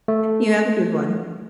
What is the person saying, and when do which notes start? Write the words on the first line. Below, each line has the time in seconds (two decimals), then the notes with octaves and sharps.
You have a good one.
0.08 A3